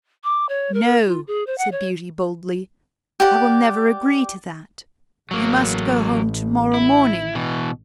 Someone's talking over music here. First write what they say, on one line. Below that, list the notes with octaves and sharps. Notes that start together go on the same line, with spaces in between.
"No," said Beauty, boldly, "I will never agree to that; you must go home to-morrow morning."
D6
C#5
A#4
F4
G#4
C5
F#5
C#5
G4 D5 F#5
A1 F#3 A#3
E4
B2 E3